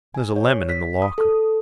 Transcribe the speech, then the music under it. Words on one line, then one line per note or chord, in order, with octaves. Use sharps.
There's a lemon in the locker.
G#5
C#5
B6
D#6
A4